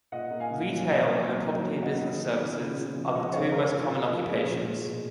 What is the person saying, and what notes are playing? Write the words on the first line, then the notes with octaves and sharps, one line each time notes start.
Retail and property and business services are the two most common occupations.
A#2 D#5 F#5
A#3
F5 G#5
A#2
F#3
F#3
A#3
F#3
F#3
B3
B3 D#5 F#5
D#3
B3
B3
C#3
B3
F3
F3 D#5 F#5
C#3 C#5 F5
G#3 A#4 C#5
A#2
F4
A#2
F3
G#3
A#2
G#3
B2